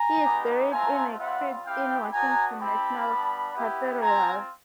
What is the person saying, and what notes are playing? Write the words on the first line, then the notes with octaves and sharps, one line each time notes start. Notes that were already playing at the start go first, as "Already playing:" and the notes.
He is buried in a crypt in Washington National Cathedral.
Already playing: G#5 A#5
G#3 B3 D#4 G4
A3 C4 F4 G#5 A#5
G3 C4 F4 E5 F#5
C4 E4 G4 F5 G5
B3 D4 F#4 G#5 A#5
C4 E4 G4 A5 B5
G3 B3 D4
B3 E4 G4
C4 F4 G#5 A#5